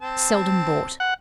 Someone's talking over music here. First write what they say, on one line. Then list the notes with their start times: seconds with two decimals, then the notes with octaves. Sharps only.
Seldom bought.
0.02 C4 A5
1.00 F#5